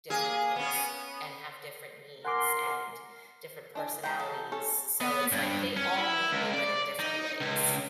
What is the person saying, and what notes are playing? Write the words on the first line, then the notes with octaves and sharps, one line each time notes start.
different kids, and have different needs and, different personalities, so it's, like, they all need me, but in different ways.
A#3 G#4
B3 C#4
A#4 F#5 G#5 C6 D6
D4 D#5 G#5
E3 G#3 B3 G5 A#5 B5
A4
C#4 A4
B3
G2
C#4
E4
C#2
D5
D#4
C#2